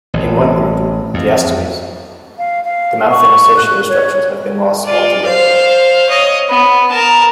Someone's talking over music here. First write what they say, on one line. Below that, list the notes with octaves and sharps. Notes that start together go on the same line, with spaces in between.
In one group, the astomes, the mouth and associated structures have been lost altogether.
A1
F2
F5
F5
C#6
F#6
C#5
F4 D5
C5 F5
C#5 D#5
B3
A#4 A5